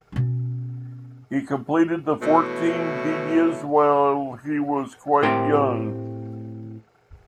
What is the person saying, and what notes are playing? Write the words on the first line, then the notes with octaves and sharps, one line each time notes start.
He completed the fourteen Vidyas while he was quite young.
B2 C#4
B2 E3 A3 C#4 E4
A2 A3 C4 G4 A#4 C6